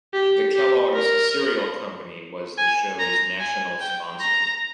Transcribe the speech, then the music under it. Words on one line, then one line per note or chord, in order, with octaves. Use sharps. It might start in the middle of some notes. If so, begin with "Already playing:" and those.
The Kellogg's cereal company was the show's national sponsor.
G4
G4
A#4
G#5
A#5
G#5
G5
A#5